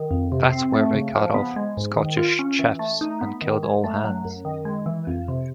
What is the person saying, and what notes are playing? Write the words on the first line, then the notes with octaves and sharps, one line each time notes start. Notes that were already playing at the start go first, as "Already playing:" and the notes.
That's where they cut off the Scottish Chiefs and killed all hands.
Already playing: D#3
F2
C3
C4
A3
C#3
F3
B3
G#3
G#2
D#3
F4
C#4
E3
A3
D#4
B3
D#3
G#3
A3
F#3
F#2
D#3
G#3
E3
F2
C3